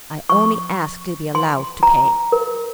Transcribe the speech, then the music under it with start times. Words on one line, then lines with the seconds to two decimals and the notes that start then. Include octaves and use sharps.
"I only ask to be allowed to pay."
0.30 C#6
1.35 C6
1.83 A#5
2.32 A#4